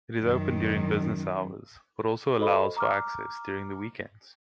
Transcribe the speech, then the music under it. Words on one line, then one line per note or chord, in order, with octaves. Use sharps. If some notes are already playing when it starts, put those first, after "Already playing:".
It is open during business hours but also allows for access during the weekends.
F#2 D#3
F#4 A4 C5 D#5 B5
A#5 D6 F6